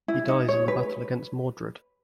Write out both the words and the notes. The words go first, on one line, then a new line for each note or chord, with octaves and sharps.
He dies in the battle against Mordred.
E4
D#4
C#5
B4